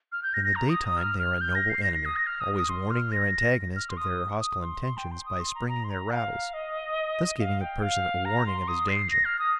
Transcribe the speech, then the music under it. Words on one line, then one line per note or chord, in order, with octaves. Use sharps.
In the day time they are a noble enemy, always warning their antagonist of their hostile intentions by springing their rattles, thus giving a person warning of his danger.
F6
G6
A#6
A#6
A#5
D#6
D#6
F6
F6
G6
A#6
C7
A#6
A#6
D#6
A#6
F6
D#6
D#6
C6
F6
A#6
F6
C6
D#6
D#6
C6
C6
G5
C6
D#6
C6
A#5
A#5
C6
A#5
F5
D#5
F5
G5
F5
A#5
C6
D#6
C7
A#6
F6
D#6